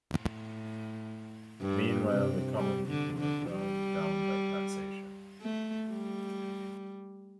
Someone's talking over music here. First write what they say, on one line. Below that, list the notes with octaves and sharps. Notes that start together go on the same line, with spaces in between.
Meanwhile, the common people were ground down by taxation.
A2
G2
C3
G3
D3
D3
G3
A3
G3